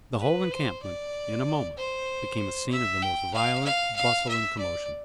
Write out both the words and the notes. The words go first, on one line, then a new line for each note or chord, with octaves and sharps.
The whole encampment, in a moment, became a scene of the most violent bustle and commotion.
B4
C5
D5
C5
E5
G5
F5
F5
F5
E5
D5